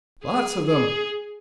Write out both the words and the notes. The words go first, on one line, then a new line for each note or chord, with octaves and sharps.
Lots of them.
G#4
G#4